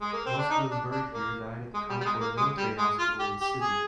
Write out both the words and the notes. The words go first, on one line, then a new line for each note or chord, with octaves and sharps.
Most of those buried here died at the Concord Military Hospital in Sydney.
G#3
A#3
C4
D4
D#4
D4
D4
A#3
G#3
G3
G3
G#3
A#3
G#3
G3
G#3
F4
G4
G4
G#4